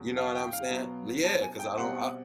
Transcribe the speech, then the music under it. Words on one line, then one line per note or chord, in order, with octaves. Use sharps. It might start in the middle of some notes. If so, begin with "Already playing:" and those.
You know what I'm saying? L yeah, 'cause I don't I
Already playing: E2 C#3 F#3
F5
G5
F5
B2 F#3 B3
A5
G#5
G5
B2 G3 C4 F#5